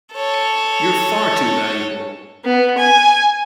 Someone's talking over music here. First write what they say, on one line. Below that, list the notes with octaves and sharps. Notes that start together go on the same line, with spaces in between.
You're far too valuable!
A4 C#5
B3
G#5